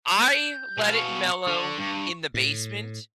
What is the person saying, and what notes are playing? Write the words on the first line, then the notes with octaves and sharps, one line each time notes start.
I let it mellow in the basement,
G6
B2 F5
C#6
D3
G2
A2